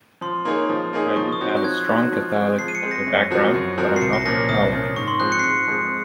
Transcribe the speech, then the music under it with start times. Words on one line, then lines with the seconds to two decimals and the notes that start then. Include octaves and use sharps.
I did have a strong Catholic background, but I am not a Catholic.
0.21 F3 C6
0.45 A#3 D#4 G#4 C#5
0.69 F3
0.93 A#3 D#4 G#4 C#5
1.16 F3 C#6
1.32 D#6
1.41 C4 D#4 F#4 C#5
1.49 D#6
1.57 F#6
1.64 F3 G#6
1.87 C4 D#4 F#4 C#5
2.12 F3
2.35 G#3 C4
2.59 F3 C7
2.68 D#7
2.75 C#7
2.82 G#3 C4
2.91 A#6
3.07 F#2
3.31 F3 C4 F#4 A#4
3.54 F#2
3.78 F3 C4 F#4 A#4
3.96 C7
4.01 C2 C#7
4.13 A#6
4.25 A#2 F3 A#3 C#4 A#6
4.49 C2 D#6
4.72 A#2 F3 A#3 C#4
4.96 G#2 C#6
5.08 C6
5.20 F3 G#3 C4 F#6
5.32 C#7
5.39 C7
5.44 G#2 C#7
5.68 F3 G#3 C4